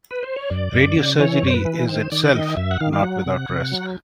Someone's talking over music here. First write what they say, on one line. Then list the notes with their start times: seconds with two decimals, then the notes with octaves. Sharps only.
Radiosurgery is itself not without risk.
0.11 B4
0.23 C5
0.36 C#5
0.50 F#2 D5
0.73 F#2
0.96 C#3
1.20 E3 C#5
1.43 F#2 C5
1.54 B4
1.65 E3
1.89 D#3 C5
2.12 D#3 D5
2.25 D5
2.34 D#3 D#5
2.57 F#2 E5
2.71 F#5
2.80 D#3 F5
2.93 F5
3.03 F#3 F#5
3.26 C3
3.49 C3
3.72 F#3